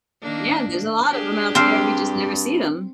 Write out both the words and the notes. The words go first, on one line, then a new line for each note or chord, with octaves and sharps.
Yeah, there's a lot of 'em out there, we just never see them.
D#3 A#3 D4
D4 G4 G#4
G2 C4 F5